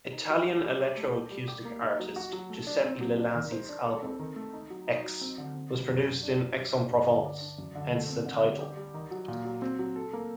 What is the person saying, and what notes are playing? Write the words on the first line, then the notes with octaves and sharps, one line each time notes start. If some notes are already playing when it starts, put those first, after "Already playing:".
Italian electroacoustic artist Giuseppe Ielasi's album Aix was produced in Aix-en-Provence, hence the title.
D#4
F#3
F#4
G3
G4
A3
G4
G3
G4
A#3
D#4
F#3
F#4
F#3
A3
D4
C4
F#3
D4
D#3
C5
D4
A4
C4
D#3
A3
D#4
F#3
D#4
F#3
C4
D3
C4
F#3
F#2
F#3
D4
F#3
G3
D4
G2
D3
D5
D4
F#2
D3
A3
C4
D3
G3
G4
G3
D#3
F#3
A#2
F#3
C4
F#3
A4
A#3